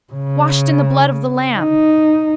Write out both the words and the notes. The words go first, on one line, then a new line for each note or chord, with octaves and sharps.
Washed in the blood of the Lamb.
C#3
D#4